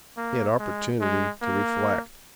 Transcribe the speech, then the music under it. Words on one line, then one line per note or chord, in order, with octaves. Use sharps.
He had opportunity to reflect.
A#3
G#3
G#3
A#3